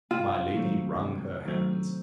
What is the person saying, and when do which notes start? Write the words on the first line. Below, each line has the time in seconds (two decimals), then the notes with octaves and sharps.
My Lady wrung her hands.
0.11 C3 F4
0.55 D#3 F#3 A3 C4
1.00 C3
1.45 D#3 F#3 A3 C4